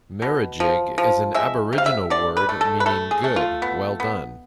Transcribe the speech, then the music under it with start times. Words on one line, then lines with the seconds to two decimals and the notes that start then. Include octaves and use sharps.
Merrijig is an Aboriginal word meaning "good, well done".
0.22 B2
0.60 F3
0.98 F3
1.34 G#3 E5
1.73 C3
1.78 F5
1.86 E5
2.10 D3 D5
2.37 B4
2.49 A3
2.61 A4
2.80 B4
2.86 A3 A4
3.11 G#4
3.24 A3
3.36 F4
3.62 B3
4.00 B3